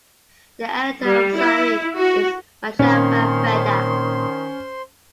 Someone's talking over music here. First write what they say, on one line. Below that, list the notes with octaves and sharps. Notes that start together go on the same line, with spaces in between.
The editor of "Sarie" is Michelle van Breda.
G3
E4
F#4
A#2 D#3 A#3 C4 C#4 C5 C6